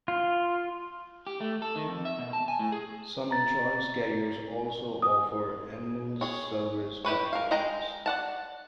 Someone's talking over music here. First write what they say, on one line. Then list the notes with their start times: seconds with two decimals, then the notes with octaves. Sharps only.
Some insurance carriers also offer annual service packages.
0.08 F4
1.27 G4
1.40 A3
1.62 A4
1.76 D#3
1.88 F2
2.05 E5
2.19 B2
2.33 A5
2.48 G#5
2.59 A2
2.72 G#4
3.31 A#5 A6
5.02 D#6
6.21 G#4 C#5
7.05 E4 G4 B4 C#5
7.33 A#4 F5
7.51 G#3 D#5 G5 A#5
8.06 D5 F#5 A5